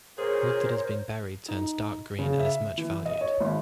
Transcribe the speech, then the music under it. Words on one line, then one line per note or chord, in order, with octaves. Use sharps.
Wood that has been buried turns dark green and is much valued.
A#2 G#4 A#4 C5 C#5
D#4
C#3
E5
E3
D#5
C#5
G#1